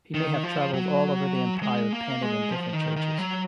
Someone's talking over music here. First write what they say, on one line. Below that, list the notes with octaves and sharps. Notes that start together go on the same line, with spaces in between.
He may have traveled all over the empire painting in different churches.
D#3
F3
F#3
G#3
A#3
G#3
F3
D#3
D#3
F#3